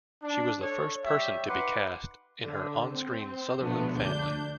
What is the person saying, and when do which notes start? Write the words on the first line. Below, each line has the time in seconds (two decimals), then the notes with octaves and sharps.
She was the first person to be cast in her on screen "Sutherland" family.
0.23 D4
0.62 D4 A4 C#5
1.05 G3 G4 C#5 E5
1.48 D#4 B4 F#5 C6 D6
2.41 D3
2.92 C4
3.59 B2 D3 F3 G#3 A3 B3
3.98 D2 D4 G6